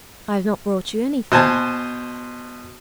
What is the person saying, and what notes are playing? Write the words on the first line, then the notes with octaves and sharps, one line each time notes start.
'I've not brought you anything.
B2 C5 G#5 A5